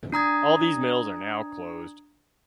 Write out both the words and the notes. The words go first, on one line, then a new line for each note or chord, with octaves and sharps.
All these mills are now closed.
D4 A#5 D#6 G#6